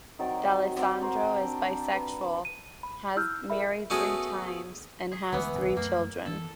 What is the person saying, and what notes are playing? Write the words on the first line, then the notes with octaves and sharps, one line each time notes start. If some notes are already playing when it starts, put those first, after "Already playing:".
Dallesandro is bisexual, has married three times, and has three children.
D#3 F#3 C4 D5
C4 F#5 D6
F#4 G4 A#4 C5
D5 G5
D4
B4
D#7
B5
E4 E6 F6 G6
G#4 A#4 E5 B5
A3 B3 C#4 F#4 G#4
G#4
D2 E3 G#3 B3
B1 D3 D#3
F#2 A3 A#3
E3 B3 A4